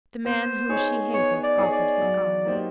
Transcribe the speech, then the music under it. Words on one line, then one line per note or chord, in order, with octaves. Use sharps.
The man whom she hated offered his arm.
B3 C5
D#4 G#4 C#5
B3 C#5
D5
D#4 G#4 C#5
D5
F#3
A#3 D#4 G4 C5